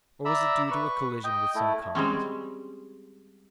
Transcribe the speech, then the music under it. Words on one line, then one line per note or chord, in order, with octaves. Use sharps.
Or was it due to a collision with some comet?
D5 E5 A#5 B5 E6
B4 C#6
D#5 G5
A3 E4
G3 G#3 C4 C#4